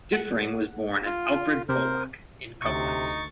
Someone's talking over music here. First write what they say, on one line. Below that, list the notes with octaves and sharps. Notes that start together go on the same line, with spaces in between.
Diffring was born as Alfred Pollack in Koblenz.
F#5
F4
C3 A#4 C5
D2 C3 D#4 C#6 A6